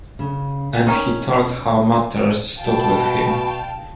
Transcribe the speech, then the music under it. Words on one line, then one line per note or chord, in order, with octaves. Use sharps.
And he told how matters stood with him.
C#3
D#3 C#4
B2 F5 G5 A5